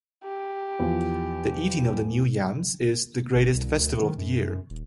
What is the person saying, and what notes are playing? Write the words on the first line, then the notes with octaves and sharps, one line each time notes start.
The eating of the new yams is the greatest festival of the year.
G4
E2 F3
G1
C2
D2
D#3
F#2
D#1